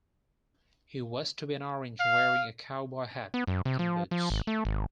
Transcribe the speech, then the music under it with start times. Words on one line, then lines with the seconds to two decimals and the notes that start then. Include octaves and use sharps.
He was to be an orange wearing a cowboy hat and boots.
2.00 F5
3.34 B3
3.47 F#2
3.65 C3
3.79 F3
4.11 F3
4.30 G#1
4.47 A3
4.65 G#1